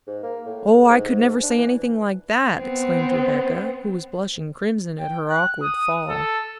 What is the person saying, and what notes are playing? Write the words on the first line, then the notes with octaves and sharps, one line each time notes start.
"Oh, I could never say anything like that!" exclaimed Rebecca, who was blushing crimson at her awkward fall.
G#2
A#3
A2
G#2
D4
E3
B3 C4
G5
F#6
D#6
A4